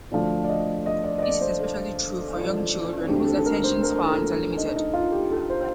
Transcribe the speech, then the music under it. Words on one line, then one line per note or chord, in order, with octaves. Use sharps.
This is especially true for young children, whose attention spans are limited.
D2 D3 F3 A3 D5
D5
D#5
D#5
D5
D#5
D5
C5
A4
F4
D2 D3 A3 C4 G4
A4
A4
A#4
C5
A#4
C5
A#4
D#4
D#4
F4
G4
A4
C5